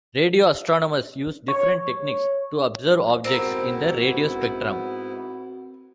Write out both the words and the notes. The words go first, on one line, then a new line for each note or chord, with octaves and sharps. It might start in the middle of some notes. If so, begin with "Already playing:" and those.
Radio astronomers use different techniques to observe objects in the radio spectrum.
C#5
G#2 B3 C4 E4 F#4 A#4